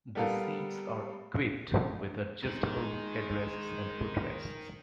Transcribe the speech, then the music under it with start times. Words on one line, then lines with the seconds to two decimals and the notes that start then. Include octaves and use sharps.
The seats are equipped with adjustable headrests and footrests.
0.15 G3 B3 A4 A#4 F5
2.43 D#3 G#3